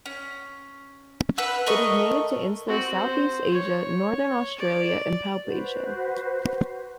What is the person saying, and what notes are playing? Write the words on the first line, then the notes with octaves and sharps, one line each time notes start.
It is native to insular Southeast Asia, northern Australia and Papuasia.
C#4
B4 F#5 E6
A3 A#4 D#5 C#6
C4 F#4
C5
C#5
D5
F#4 B4 C5